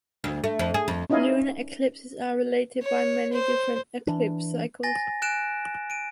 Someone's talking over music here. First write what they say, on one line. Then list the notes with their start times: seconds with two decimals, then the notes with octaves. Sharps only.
Lunar eclipses are related by many different eclipse cycles.
0.24 D2
0.44 A3
0.59 F2
0.74 G#4
0.88 F2
1.10 C#4 D#4 E4 D#5 F5 G#5
2.82 C#5
3.33 C5
4.07 E3 D4
4.83 G#5 A6 A#6
5.22 G#5 F#6 D7 E7
5.90 D7 D#7